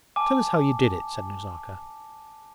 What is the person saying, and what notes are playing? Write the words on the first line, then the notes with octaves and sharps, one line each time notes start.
Tell us how you did it!' said Nazarka.
G#5 A5 D6